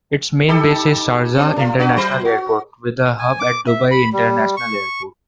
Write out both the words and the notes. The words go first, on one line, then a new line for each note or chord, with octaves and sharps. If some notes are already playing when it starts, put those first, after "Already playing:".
Its main base is Sharjah International Airport, with a hub at Dubai International Airport.
D#4 G4 A4
C4 D4
A3 F4
D4 F#4 B4
F#3 C5
F#4
G#5
D6
E5
B5
G3
C#6